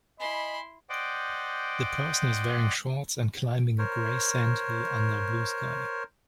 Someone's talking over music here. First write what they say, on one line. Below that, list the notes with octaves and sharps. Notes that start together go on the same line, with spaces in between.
The person is wearing shorts and climbing a gray sand hill under a blue sky.
E4 D#5 G#5 B5 C6
C5 D5 D#5 F#5 G5 D6
A#4 C5 C#5